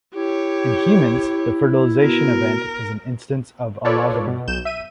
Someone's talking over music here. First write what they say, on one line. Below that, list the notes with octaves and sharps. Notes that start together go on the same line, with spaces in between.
In humans, the fertilization event is an instance of allogamy.
E4 G4 C#5
B2 A#4
F4 A4 B4 C#5 D5
B2
B1 G6 E7
E5 D#7